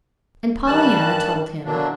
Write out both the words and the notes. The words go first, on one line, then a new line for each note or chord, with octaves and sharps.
And Pollyanna told him.
G2 D#3 E3 G3 A5 F#6
B2 D3 E3 F#3 A#3 D4